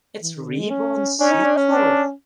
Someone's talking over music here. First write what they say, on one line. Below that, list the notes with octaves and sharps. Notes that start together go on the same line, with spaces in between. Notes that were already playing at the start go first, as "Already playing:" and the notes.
It's Reborn's Sequel.
E3
D#3
D3
G#3
C#4
C#4 D4
D#4
D4
C#4
D4